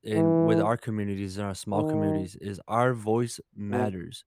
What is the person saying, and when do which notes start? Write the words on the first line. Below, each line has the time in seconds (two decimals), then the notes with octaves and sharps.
in with our communities, and our small communities, is our voice matters.
0.16 E3
1.74 D#3
3.71 B2